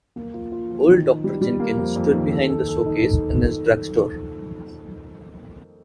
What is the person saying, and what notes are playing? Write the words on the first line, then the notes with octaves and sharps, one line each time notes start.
Old Dr. Jenkins stood behind the showcase in his drugstore.
A#3
F4
F4
F3
D#3
D#3
G3
G3
A#3
F2
F2
D#3
A4
A4
A4
D#4